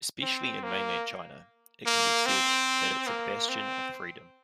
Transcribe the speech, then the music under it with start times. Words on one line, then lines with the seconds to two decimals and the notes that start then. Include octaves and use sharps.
Especially in mainland China, it can be said that it's a bastion of freedom.
0.23 C4
0.63 A#3
1.86 A#3
2.26 C4
3.07 A#3
3.49 C4